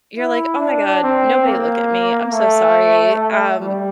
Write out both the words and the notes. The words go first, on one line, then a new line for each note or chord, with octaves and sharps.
You're like, "Oh my god, nobody look at me. I'm so sorry. Um,
E4
D4
C4
A#3
A3
G3